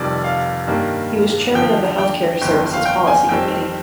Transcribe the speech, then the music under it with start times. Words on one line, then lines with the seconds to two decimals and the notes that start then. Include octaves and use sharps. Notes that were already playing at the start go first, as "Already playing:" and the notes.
He was chairman of the Health Care Services Policy Committee.
Already playing: F1 F2 D#3 G3 D5
0.24 F5
0.67 G2 D#3 G3 A#3
1.54 D#2 D3 F3 G5
1.98 G5
2.42 G1 F2 D#3 G5
2.74 F5
2.85 G5
3.07 G#5
3.29 F2 D#3 G3 C4 G5